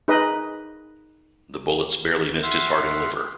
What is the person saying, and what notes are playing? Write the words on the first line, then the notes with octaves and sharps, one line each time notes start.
The bullets barely missed his heart and liver.
D#4 G#4 B4 D#5
E5 F#5 C6 F6